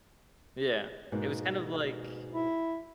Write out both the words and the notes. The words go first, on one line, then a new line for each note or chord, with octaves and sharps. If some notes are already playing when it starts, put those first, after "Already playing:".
yeah, it was kind of, like
G#2 B2 A#3
E4